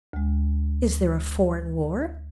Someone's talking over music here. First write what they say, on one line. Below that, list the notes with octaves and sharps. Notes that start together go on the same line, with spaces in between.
Is there a foreign war?
D2 G#3